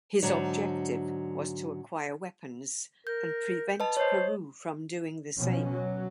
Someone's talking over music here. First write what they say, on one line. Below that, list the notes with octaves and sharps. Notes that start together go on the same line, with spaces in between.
His objective was to acquire weapons and prevent Peru from doing the same.
G#2 D3 F#3 D4
A#4 G6
B4 D#5 A5
C5 C#5 D#5
B2 F3 C#4
F#3